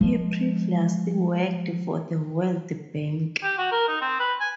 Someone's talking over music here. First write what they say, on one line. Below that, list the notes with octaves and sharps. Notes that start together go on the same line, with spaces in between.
He previously worked for the World Bank.
F3 G#3
G4
F#4
A#4
D#4
C4
B4
G#5